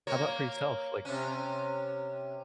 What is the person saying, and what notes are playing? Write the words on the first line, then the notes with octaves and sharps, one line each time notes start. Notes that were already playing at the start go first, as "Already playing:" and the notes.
How about for yourself? Like
A#3 C#5
C3 C#4